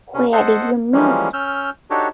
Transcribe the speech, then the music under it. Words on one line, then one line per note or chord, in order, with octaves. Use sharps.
Where did you meet?
C3 C#4
A4 C5 D#5 F#5
E3 F3 G3 G#3 A#3 C#4
C#4 E6 F6 G6
D4 D#4 F#4 G4 A4 C#5